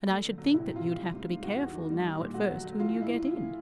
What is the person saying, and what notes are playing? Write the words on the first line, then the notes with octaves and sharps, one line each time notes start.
And I should think that you'd have to be careful now at first whom you get in.
A3
D3
F#3
C3 E4
C3
F4
C3
G3
G#2
G#2
E2 F#4
E2
D#3
G3
A#2
A#2
A3 F#4
F#3
F#3
E3 F4
A2
E4
A2